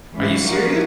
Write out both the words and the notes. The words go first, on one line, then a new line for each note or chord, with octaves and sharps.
Are you serious?"
G#2 E3 G#3 C#4
F3 A3 D4 F#4 A#4